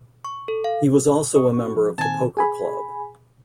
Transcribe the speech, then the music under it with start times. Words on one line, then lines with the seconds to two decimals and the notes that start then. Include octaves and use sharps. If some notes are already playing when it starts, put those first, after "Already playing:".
He was also a member of The Poker Club.
0.25 C#6
0.48 A4
0.64 F5
1.36 D#5 C#6 D#6
1.53 F#4 C#6
1.76 F3
1.98 A#2 D#3 C4 G#5 A5
2.37 G#4 G#5 B5